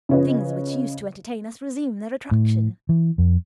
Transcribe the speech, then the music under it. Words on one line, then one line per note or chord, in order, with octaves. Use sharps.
Things which used to entertain us resume their attraction.
C#3 F3 C#4 B4 D#5
A2
E3
F2